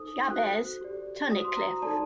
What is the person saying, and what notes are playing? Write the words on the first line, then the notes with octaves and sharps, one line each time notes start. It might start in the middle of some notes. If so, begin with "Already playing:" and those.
Jabez Tunnicliff.
Already playing: D#4 A4 C5 D#6
F#4 A4 C5 F#6
G4 D5
F#4 C5 D#6
C6
A#5
D#4 A4 D5 A5